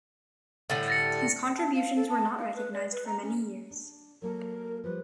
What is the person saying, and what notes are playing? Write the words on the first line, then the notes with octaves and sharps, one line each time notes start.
His contributions were not recognized for many years.
A2 D3 G3
A6 A#6 C#7
A5
F5
A4
A5
F5
B4
D5
B4
A#5
C#4
D4
F#3 A#3 A4 A#4
F3 G3 B4